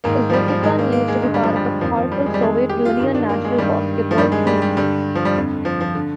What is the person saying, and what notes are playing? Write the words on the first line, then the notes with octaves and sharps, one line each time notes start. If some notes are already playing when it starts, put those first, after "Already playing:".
Uzbekistan used to be part of the powerful Soviet Union national basketball team.
G#2 D#3 A#3
F3
G3
F3
G#2 D#3 G#3
A#3
A#3
G#3
G2 D3 G#3
G3
F3
G3
F2 D#3 F3
F3
G3
G#3
G3
F2 D#3 G#3
G4
F4
G2 D#3
D4
A#3
G#3
G2 D#3 G3
F3
G2 D#3 G3
G#3
G3
G3
G2 D3 G3
F3
G3
F2 D3
F3
F3
D3